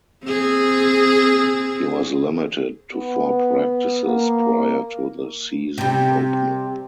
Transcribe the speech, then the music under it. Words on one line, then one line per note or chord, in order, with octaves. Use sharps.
He was limited to four practices prior to the season opener.
C4 G#4
B3
A#3
C3 G3